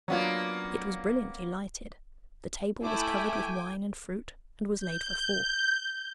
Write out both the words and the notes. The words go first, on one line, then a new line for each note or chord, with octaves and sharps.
It was brilliantly lighted; the table was covered with wine and fruit, and was laid for four.
F#3 A#3 B3 C#4 D4 F4
A3 E4 G5 G#5 D6
G6